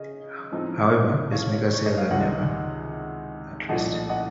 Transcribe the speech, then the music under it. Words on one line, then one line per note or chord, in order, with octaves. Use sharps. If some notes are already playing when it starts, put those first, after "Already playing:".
However, pacemaker cells are never at rest.
Already playing: C#3 D#5
A2 F3 C4 D#4
C#5 F5
C#5
D#5
F5
C#2 C3 D#3 D#5 F#5
C2 A#2 F3 A3 D#5 F#5
D#5 F#5